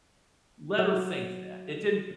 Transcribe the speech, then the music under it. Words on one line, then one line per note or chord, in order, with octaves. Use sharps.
let her think that, it didn't
F#3